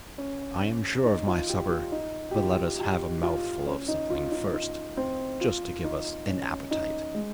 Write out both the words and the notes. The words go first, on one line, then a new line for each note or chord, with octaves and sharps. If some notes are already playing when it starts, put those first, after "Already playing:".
'I am sure of my supper, but let us have a mouthful of something first, just to give us an appetite.'
C#4
D#4
F4
G4
F4
D#4
G4
F4
G4
F4
C#4
D#4
F4
D#4
D#4
C4
F4
D#4
C#4
D#4
G#3